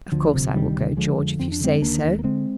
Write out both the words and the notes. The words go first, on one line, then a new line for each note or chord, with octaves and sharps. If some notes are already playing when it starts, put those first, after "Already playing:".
Of course I will go, George, if you say so.
D2 D3 F3
C3
D2 D#3 G3
C3
D3 F3 G#3
F2
F2 C4
D4
D3 G#3 C4
D#2 A#3 D4
D#2
A#3
D3 G#3 C4